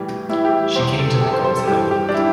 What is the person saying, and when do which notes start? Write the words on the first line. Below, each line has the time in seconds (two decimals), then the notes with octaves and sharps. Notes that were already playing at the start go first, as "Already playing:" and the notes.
She came to the girl's help.
Already playing: A2 E3 G3
0.29 A2 E3 G3 E4
0.45 G4
0.76 E2 C3 E3 G3 C5
0.99 A4
1.21 E2 C3 E3 G3 G4
1.33 C5
1.45 C5
1.57 A4
1.67 G2 E3 G3 G4
1.91 G4
2.09 D4
2.14 E3 G3 E4